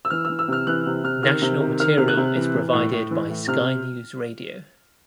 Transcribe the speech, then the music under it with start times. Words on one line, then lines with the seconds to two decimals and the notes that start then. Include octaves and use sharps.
National material is provided by Sky News Radio.
0.05 E6
0.10 E3 F6
0.25 E6
0.30 E3
0.39 E6
0.48 C3 F6
0.67 E3 F#6
0.86 C3
1.04 C3 F6
1.23 D#3 F6
1.42 C3
1.60 D#3
1.80 D#3 F6
1.97 C3 F6
2.08 F#6
2.17 C3
2.36 E3
2.55 E3
2.73 A2
2.92 A2
3.11 E3
3.30 A2
3.48 C3 F6